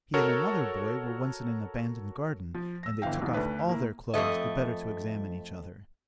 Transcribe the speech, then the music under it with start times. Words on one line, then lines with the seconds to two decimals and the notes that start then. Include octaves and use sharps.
He and another boy were once in an abandoned garden, and they took off all their clothes, the better to examine each other.
0.14 F#4 A4 A#4 C#5
2.54 F3
2.83 E6 A#6
3.02 G1 D3 E3 F5 G5
3.22 C2 F2 D#3
3.34 D2 A3 D4 B4
3.67 A2 A#3 E4
4.14 F2 D#3 A3 D#5